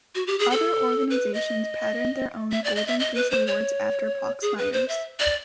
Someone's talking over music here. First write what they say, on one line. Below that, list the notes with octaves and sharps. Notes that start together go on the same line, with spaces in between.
Other organizations patterned their own "Golden Fleece Awards" after Proxmire's.
F#4
G4
G#4
A4
B4
D#5
E5
D5
D#5
E5
D#5
B4
C5
C#5
G#4
B4
C5
E5
D5